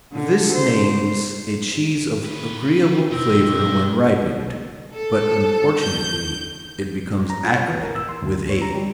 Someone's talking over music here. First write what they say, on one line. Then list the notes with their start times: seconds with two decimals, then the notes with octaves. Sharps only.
This names a cheese of agreeable flavor when ripened, but, unfortunately, it becomes acrid with age.
0.12 D3
0.53 C5
2.25 D#3 B4
3.12 F2 B2 C4 D#5 G5
4.95 A4
5.79 G6
7.30 A#5
7.44 F4
7.56 C#5
7.68 E3
7.83 A#4
7.95 E6
8.09 C6
8.22 D2
8.50 C#5
8.62 A#5
8.75 G3